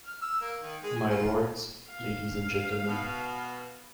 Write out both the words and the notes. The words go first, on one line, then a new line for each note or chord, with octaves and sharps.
My lords, ladies and gentlemen.
F6
E6
A#3
D#3
G#3
G#5
F4
F5
B2